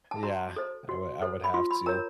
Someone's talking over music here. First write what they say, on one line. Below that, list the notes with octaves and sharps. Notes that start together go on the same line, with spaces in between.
yeah, I would I would have to.
A5
F#4 A#5
A4 C5
F#4
A4 C5
B5
F4 C6
B5
A#4 C#5 A#5